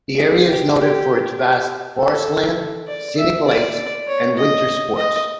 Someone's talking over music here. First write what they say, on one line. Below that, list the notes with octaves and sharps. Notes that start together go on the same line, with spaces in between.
The area is noted for its vast forest land, scenic lakes, and winter sports.
G#4
G4
G4
G4
A4
D5
E5
D5
C#5
D#5
D#5